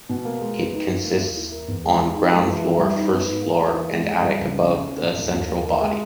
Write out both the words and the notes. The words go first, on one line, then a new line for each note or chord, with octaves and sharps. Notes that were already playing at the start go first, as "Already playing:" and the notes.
It consists on ground floor, first floor, and attic above the central body.
B2
A#3
G#3
B3
D#4
D#4
A#3
D#2
E4
A#4
E2
G#3
G#4
D#4
G#3
E3
E4
G3
D#4
B3
G#2
A#3
A#3
E3
G#3
G#3
G3
C#2
C#4
C#4
C#4
A#2
D#2
D#2
A#3
A#3
G#3